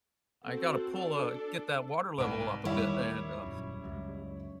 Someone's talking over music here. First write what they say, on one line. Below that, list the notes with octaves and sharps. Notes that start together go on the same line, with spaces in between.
I got to pull, uh get that water level up a bit, and, uh,
C4 F#4 A4
D4 A4
C2 G#2 B4 D7
D#2 D#3 G3 E4 C#5 E5
D#1 F#2
C#2 F#2